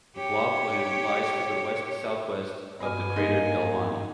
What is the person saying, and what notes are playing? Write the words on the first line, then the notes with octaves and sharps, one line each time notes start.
McLaughlin lies to the west-southwest of the crater Galvani.
G4 C#5
G2 B2 G#5 F6
G#2 A#3 D#4